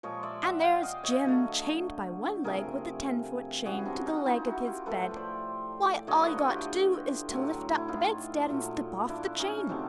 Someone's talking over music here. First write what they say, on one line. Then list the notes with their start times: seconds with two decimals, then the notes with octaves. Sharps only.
And there's Jim chained by one leg, with a ten-foot chain, to the leg of his bed: why, all you got to do is to lift up the bedstead and slip off the chain.
0.03 A#2 F3 G#3 C#5 D#5
0.23 D5 E5
0.43 E5 F#5
0.63 F5 G5
0.83 D#5 F5
1.04 C#5 D#5
1.24 D3 F#3 A3
2.44 C3 F3 A3 G#4 A#4
3.65 C#3 E3 G3 F#4 G#4
3.85 C4 D4
4.06 C#4 D#4
4.26 D#4 F4
4.46 E4 F#4
4.67 F4 G4
4.86 A2 F3 A3 A4 B4
5.16 C5 D5
5.97 D5
6.07 D3 F#3 A3 C#5 D#5
6.27 B4 C#5
6.47 F4 G4
7.28 A2 F#3 A3
7.77 E4
7.88 D#4 F4
8.49 A#2 F#3 A3
9.09 D4 E4
9.39 C#4 D#4
9.69 C3 D#3 F#3 A3 C4 D4